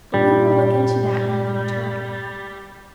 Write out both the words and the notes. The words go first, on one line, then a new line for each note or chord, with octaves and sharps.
But we will look into that another time.
G2 A#2 G3